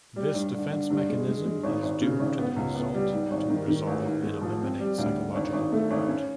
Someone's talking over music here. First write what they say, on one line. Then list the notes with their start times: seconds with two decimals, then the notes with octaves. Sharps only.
This defense mechanism is due to the result to resolve and eliminate psychological hurt.
0.16 G3
0.34 G2
0.53 D3
0.71 D3
0.90 G2
1.09 G#3
1.28 G#3
1.45 G#3
1.63 G#1
1.83 G#1
2.02 C#3
2.19 G#1
2.39 B3
2.56 C#2
2.75 B3
2.94 G3
3.12 G#2
3.31 G#1
3.49 D#3
3.68 D#3
3.87 A1
4.06 G#2
4.23 G#3
4.41 F3
4.61 C4
4.80 G3
4.98 D2
5.16 D3
5.35 G#1
5.53 G#1
5.72 A3
5.90 G#1
6.08 C#4